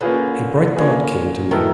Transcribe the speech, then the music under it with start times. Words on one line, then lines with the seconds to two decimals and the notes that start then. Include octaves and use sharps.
A bright thought came to me.
0.01 D3 A#3 C#4 F4 G#4 B4
0.76 A#3 C#4 F4 G#4 B4
1.51 A2 D#3 F#3 B3 E4 A4